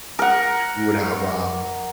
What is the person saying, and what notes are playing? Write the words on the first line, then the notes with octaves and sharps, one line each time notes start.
we would have, um,
A#4 F#5